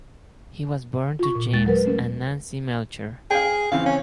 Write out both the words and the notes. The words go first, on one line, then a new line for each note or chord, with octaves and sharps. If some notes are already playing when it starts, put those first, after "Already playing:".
He was born to James and Nancy Melcher.
F4 C#6
A#2
D#2 G#3 A6
F#3 A#4 B4
A3 C#4 A#4
G#4 F5 G5
C#3 E3 C4 F5
C#4